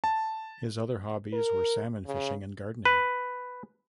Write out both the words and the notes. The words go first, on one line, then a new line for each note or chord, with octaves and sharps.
His other hobbies were salmon fishing and gardening.
A5
A#4
C#3
B4